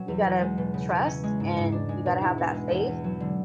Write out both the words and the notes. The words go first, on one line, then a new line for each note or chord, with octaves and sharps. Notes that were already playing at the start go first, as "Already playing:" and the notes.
you gotta trust and you gotta have that faith
Already playing: B2 F#3 C#4
E2
E2
G#3
B2
C#3
E4
C#4
G#3
G#2
G#2
D4
G#3
B2
E4
B3
G#3
E2
E2
F#3
D3